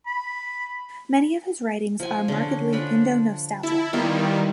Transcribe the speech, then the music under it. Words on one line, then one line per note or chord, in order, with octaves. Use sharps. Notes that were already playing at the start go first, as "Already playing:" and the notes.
Many of his writings are markedly "Indo-nostalgic".
B5
F3 G#5
D3 C#4
F3 D4 B5
E4 A5
D#3 G3 B3 E4 F4